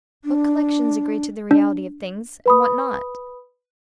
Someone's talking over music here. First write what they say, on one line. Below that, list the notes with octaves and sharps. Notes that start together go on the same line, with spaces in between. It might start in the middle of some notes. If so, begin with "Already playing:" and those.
What collections agree to the reality of things, and what not?
D4
D4
B4 B5 D#6